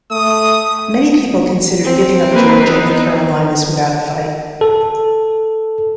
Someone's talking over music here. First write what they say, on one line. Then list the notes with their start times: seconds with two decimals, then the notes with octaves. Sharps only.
Many people considered giving up Georgia and the Carolinas without a fight.
0.11 A3 D#6
1.84 C4
2.31 A#3 B4
2.66 B3 D#4
4.61 A4